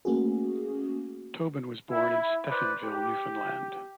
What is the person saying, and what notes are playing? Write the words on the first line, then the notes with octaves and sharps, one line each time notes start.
Tobin was born in Stephenville, Newfoundland.
A3 A#3 C#4 F#4 G#4
E4
B4 C5 D5
G4